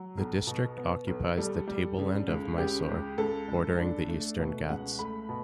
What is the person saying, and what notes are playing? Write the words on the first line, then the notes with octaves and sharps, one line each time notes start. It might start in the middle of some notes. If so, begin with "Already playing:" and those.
The district occupies the tableland of Mysore, bordering the Eastern Ghats.
Already playing: F#3
B1
B2
B3
B1
G3 A4
G3
C#3
C#2
C#3 G4
C#2
C#2 A4
C#2
D4
A3
B2 B4
C#2 F#5
A3 B5
B2